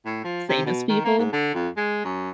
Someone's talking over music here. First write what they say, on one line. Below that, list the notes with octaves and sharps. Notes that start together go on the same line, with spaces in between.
famous people,
A2
F3
C3
B2
D#3
A#3
G#2
D3
F2
G#3
F#2